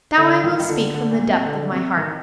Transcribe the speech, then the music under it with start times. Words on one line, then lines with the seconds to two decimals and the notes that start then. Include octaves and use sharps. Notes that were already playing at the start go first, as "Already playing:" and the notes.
But now I will speak from the depth of my heart.
0.18 D3
0.44 D#3
0.60 D#3
0.68 D3
0.94 D3
1.11 A#2
1.28 C3
1.46 D3
1.72 C3
1.97 D#3